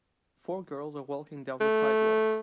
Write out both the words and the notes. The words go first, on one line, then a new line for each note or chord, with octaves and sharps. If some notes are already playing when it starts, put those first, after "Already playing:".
Four girls are walking down the sidewalk.
A3